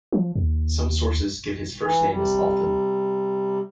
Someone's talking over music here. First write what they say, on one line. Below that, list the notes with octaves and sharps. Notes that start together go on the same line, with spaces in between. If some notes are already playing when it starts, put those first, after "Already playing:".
Some sources give his first name as Alton.
F3
D#2
E3
C3 G3